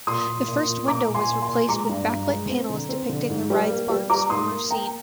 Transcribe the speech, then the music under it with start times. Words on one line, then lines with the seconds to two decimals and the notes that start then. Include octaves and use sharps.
The first window was replaced with backlit panels depicting the ride's barnstormer scene.
0.07 A#2 C6 D#6
0.27 A#2
0.48 A#2
0.68 A#2
0.88 A#2 A#5 D6
1.08 A#2
1.15 G#5 C6
1.28 A#2
1.42 G#5 C6
1.49 A#2
1.69 G#3 A#5 D6
1.89 G2
2.08 G2
2.29 G#3
2.48 C4
2.70 D3
2.89 C4
3.09 D3
3.30 G#2
3.50 G3
3.70 A#3
3.89 G3
4.10 G3 A#5 D6
4.30 G#2 C6 D#6
4.50 A#3
4.70 A#3 G5 A#5